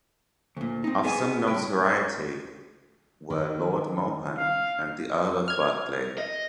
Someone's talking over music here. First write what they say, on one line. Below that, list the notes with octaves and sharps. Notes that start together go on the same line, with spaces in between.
Of some notoriety were Lord Mohun and the Earl of Berkeley.
D2 A#2
C4 D#4
B3 G#4 G#5
C#2 G2 G#3 G5
D#3
F5
F6 G#6
D#5